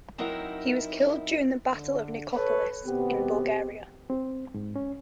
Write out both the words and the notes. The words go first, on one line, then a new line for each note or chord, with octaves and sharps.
He was killed during the battle of Nicopolis, in Bulgaria.
F#3 C4 D#4 E4 A#4 F#5
D3
A4 B4 C#5
D#2 B2 B3 C4 G4
C4
G#2
C#4